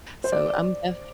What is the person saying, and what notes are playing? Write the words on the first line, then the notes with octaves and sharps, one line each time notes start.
so I'm def
C5
D5